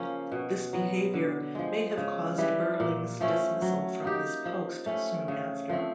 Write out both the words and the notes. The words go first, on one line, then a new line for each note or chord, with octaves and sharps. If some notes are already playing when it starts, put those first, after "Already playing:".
This behaviour may have caused Berlings' dismissal from his post soon after.
Already playing: C#3 F3 A#3 C#4
B2
F#3 B3
D3
F3 G#3
C#3
E3 G3
A#2
F3 A3 C#4
F#3
A#3 D#4 G4
F3
A3 C#4
C#3
F3 A3 C4